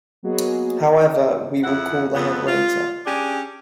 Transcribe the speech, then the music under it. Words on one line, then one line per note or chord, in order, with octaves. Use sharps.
However, we will call the head waiter.
F#3 A#3 B3 F#4 G#4 D#5
F2 E4 F#5
F2 B3
F4
C#4 D4 G4 G#4